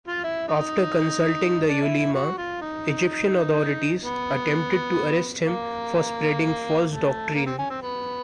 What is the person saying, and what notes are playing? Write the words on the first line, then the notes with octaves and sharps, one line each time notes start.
After consulting the Ulema, Egyptian authorities attempted to arrest him for spreading false doctrine.
F4
E4
D#4
D4
E4
E4
F#4
F4
D#4
B3
A#3
A3
A#3
C4
C#4
C4
B3